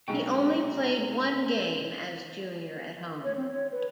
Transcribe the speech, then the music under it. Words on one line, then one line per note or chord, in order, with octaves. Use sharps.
He only played one game as junior at home.
B1 C3 G#3 G5 C#6
C#5
C4
C#5
B4